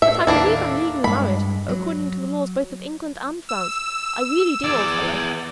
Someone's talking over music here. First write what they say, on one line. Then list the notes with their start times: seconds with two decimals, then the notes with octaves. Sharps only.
But I believe I'm legally married according to the laws both of England and France; I really do, old fellow.
0.02 A2 E5
0.27 D#2 A2 A#3 D4 E4
1.04 G2 G#3 B5
1.69 F#3
3.49 E6
4.64 E2 D5